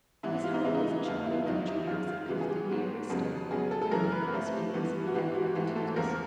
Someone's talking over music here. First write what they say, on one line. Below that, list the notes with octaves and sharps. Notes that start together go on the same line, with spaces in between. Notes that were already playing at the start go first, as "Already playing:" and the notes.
His home was a charming country house at Clifton near Bristol, where for the first years he had private tutors.
G#2 E3 G3 B3 E4
F4
D#4
C#3 E3 G#3 B3 E4
D#4
E4
F2 D3 G3 F4
E4
E2 C3 D#3 F#3 D#4
E4
F#2 D#3 G#3 F4
F4
C#3 E3 G#3 B3 F#4
G#4
G4
G#2 D#3 G#3 B3
F2 C#3 F#3 B3
C#3 F#3 B3 G#4
A4
A4
F#2 C#3 E3 A#4
B4
C3 F3 A3
G2 E3 G3 B3
F#4
G#2 E3 G3 G4
F#4
G#2 E3 A3 G4
A4
E2 C#3 F3 A#3 A#4